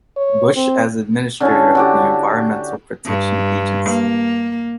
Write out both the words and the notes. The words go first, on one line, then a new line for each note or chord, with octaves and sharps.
Bush as Administrator of the Environmental Protection Agency.
C#5
C4
D3 C#4 E4 A5
D3 F#4 G4
G2
A#3